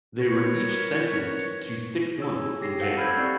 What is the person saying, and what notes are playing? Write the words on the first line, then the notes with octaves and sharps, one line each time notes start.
They were each sentenced to six months in jail.
A#4 B4 C#5
G#4 C#5 E6
G4 A#6 C7
A4 C5 F5 F#5
B5 E6 F6 G6 G#6 C7
C4 E4 G4 D5